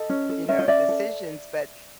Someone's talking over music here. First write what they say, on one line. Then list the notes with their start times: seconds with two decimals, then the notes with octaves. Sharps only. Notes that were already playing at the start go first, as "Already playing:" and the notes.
you know, decisions, but
Already playing: A4 D#5
0.10 C#4
0.29 A4
0.49 C#4 E5
0.59 D#5
0.68 C#4 D5 E5
0.88 A4